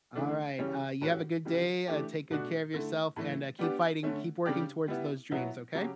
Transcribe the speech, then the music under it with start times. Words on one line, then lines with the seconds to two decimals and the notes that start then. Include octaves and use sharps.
Alright, uh, you have a good day, uh, take good care of yourself, and, uh, keep fighting. Keep working towards those dreams, okay?
0.15 C#3 E3 A3 D4
0.59 C#3 E3 G3 C#4
1.01 A2 G3 C#4 F#4
1.45 C#3 E3 G3
1.87 E3 A3 D4 G4
2.31 B2 A3 D4 F#4
2.74 D3 A3 E4
3.16 A2 E3 A3
3.59 G3 B3 D4 G4
4.03 D3 A3 C#4
4.46 C#3 G3 D4 G4
4.88 G3 B3 E4
5.31 B2 F#3 B3 E4
5.75 C#3 F#3 C#4 G4